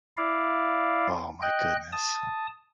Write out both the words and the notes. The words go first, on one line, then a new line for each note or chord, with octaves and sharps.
Oh my goodness.
E4 D5 F5
D#5 G5 F#6
A5 D#6